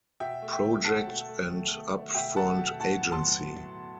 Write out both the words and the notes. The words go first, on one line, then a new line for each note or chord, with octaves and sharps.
Project and Up-Front Agency.
B2 E5 G5
A3
E5 G5
A3
A3 F#5 A5
B2
A3
A3
A3
A3
B2 E5 G5
A3 F#5 A5
B2
A2 F#5 A5
B3
A5 C6
F#3